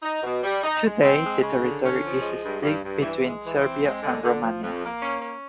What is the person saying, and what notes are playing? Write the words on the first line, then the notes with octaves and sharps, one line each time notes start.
Today, the territory is split between Serbia and Romania.
D#4
B2
G3
D#4
G#3
C4
G#3
C#3
D3
C#4
F3
G#3
G2
G2
G2
E3
G#3
E3
C4
G#3
D3
D3
F3
F2
A#3
C#4
C#4